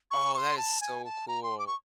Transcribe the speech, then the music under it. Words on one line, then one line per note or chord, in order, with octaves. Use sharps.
Oh, that is so cool.
C#6
C#6
C6
A5
G#5
A5
A#5
C6
D6
C#6